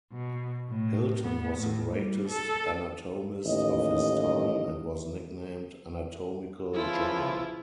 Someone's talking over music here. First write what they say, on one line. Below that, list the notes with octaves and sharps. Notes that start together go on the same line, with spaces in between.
Hilton was the greatest anatomist of his time, and was nicknamed Anatomical John.
B2
A2
B3
A2
G3
A4
A1 D#2 D#5
C#3 E3 F3 E4 F4